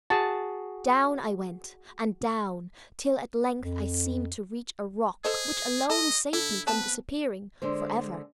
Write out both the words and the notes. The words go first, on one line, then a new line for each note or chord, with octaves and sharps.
Down I went, and down, till at length I seemed to reach a rock which alone saved me from disappearing for ever.
F#4 G#4 A5
F2
G#4 A4 C5 D#5
A4 D#5
D3 E4
B3 C4 B4 A5
D3 G#3 C5